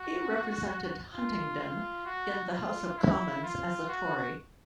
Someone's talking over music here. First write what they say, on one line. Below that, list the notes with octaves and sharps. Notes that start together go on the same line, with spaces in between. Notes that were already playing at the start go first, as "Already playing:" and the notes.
He represented Huntingdon in the House of Commons as a Tory.
Already playing: F#4
F4
F4
F#4
F4
E4
F4
F#4